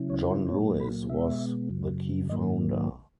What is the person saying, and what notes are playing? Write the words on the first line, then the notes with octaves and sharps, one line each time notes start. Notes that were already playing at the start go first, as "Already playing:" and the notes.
John Lewis was the key founder.
Already playing: C#3 F#3 C#4 E4
C#5
C#5
A#2 F#3 A#3 C#5
B5
B2 G#3 B3 E5
F#2 C#3 F#3
G#2 D#3 F#3 A#3 D#5